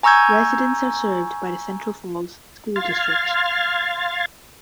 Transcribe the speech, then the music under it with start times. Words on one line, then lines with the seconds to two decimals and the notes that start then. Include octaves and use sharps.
Residents are served by the Central Falls School District.
0.03 G#5 A#5 C#6 E6 G6 G#6
2.76 F5 C6 F6 G#6 A6